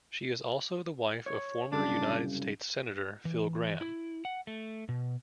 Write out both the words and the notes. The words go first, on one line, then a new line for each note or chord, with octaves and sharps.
She is also the wife of former United States Senator Phil Gramm.
C#5
C2 F#2 C#3 D4
E3
E4
F#5
A3
B2